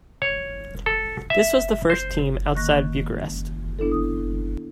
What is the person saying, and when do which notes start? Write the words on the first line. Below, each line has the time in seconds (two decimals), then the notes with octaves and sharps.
This was the first team outside Bucharest.
0.22 C#5
0.86 A4
1.30 E5
1.90 C5
2.55 D#3 A#3 C#6 F#6 A#6
3.79 B3 D4 E4 A4
3.92 D#6